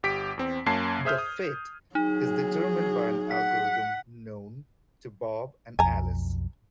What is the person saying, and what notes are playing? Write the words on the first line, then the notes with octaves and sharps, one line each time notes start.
The "fit" is determined by an algorithm "known" to Bob and Alice.
G1 G4 B6 D7
E2 C4
F#2 A#3 C#4 A5 G#6 C7
G#4 C5 E5 D#6 F6 G6
D#6
F#3 D#4 G#4
F#5 B6
B1 F2 G#5 A#5